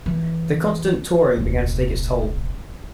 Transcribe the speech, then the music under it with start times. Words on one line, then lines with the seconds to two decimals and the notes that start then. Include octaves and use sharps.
The constant touring began to take its toll.
0.06 E3 A3
1.37 D#1 C2